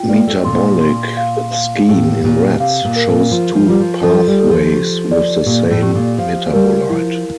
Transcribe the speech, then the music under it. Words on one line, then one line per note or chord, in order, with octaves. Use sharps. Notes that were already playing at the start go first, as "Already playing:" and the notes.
Metabolic scheme in rats shows two pathways with the same metabolite.
Already playing: F4 G5
A#3 D5
A3
A#2 C6
C6
F5
F5
A2 G4
A#2 G4
C3 F5
A#2
A#4
A#2
F3 F4
F3
G3 F4
F3
F3 A4
G3
A4
E3
F3
G4
D5
A#2 G4
A2
G4
A#2
F3 F5
G3 A#4
F3 E4